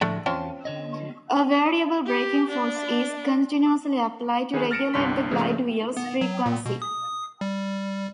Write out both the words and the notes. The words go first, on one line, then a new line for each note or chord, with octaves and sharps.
A variable braking force is continuously applied to regulate the glide wheel's frequency.
A2 D3 F3 A3 D4
E2 C4 C#4 F4 F5 A5
D3 C#5 D#5
G4
D4
D#3 G#4 B4
F6 A6 A#6 C#7 D7 E7
G1 C2 G2 D4 C6 B6
G#2 C#3 F3 A3
B3
F#3
A#2
B2
D#6
G3